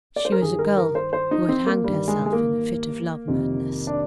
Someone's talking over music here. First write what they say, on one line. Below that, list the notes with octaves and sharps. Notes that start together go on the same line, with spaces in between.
She was a girl who had hanged herself in a fit of love madness.
D5
C5
A#4
G2 D#3 G#4
A#4
A#4
C5
C5
D#4
C4
A#3
G2 D#3 G3
G#3
G#3
A#3
F2 C3 D#3
D4